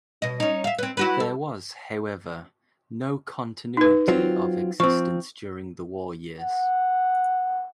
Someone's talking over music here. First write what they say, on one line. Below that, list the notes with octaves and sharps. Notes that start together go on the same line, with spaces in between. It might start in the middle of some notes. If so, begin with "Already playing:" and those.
There was, however, no continuity of existence during the war years.
B2 D#5
C#4 D#4
E5 F5
C4 B4
E4 F#4 B4
A4
D#4 B4
F#3 C4 F4
F3 C4 C#6
F#5